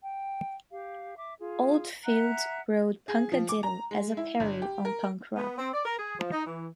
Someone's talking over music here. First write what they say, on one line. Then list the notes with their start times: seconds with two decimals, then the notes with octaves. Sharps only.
Oldfield wrote "Punkadiddle" as a parody on punk rock.
0.02 G5
0.72 G4 F5
1.17 E5 D6
1.39 F4 G#4
2.04 E5 F#5 A#5 F#6
3.08 G#4
3.32 F3
3.49 D6
3.63 A#5
3.91 G#3
4.17 E4
4.40 G1
4.62 G4
4.85 A#4
5.36 B3
5.57 C4
5.72 D5
5.84 A#4
5.98 G#4
6.18 F3
6.31 D#4
6.45 E3